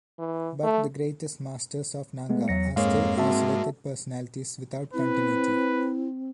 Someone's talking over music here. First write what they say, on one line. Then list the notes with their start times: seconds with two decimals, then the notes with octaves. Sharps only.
But the greatest masters of Nanga are still isolated personalities without continuity.
0.19 E3
0.63 A3
2.29 G#3 A3 B3
2.48 E2 F#3 A#6 C#7
2.76 F2 G#2 G#3 A#3 G#4 C#5 F5
3.17 C4 F#4 E5 A5
4.94 C4 E4 B4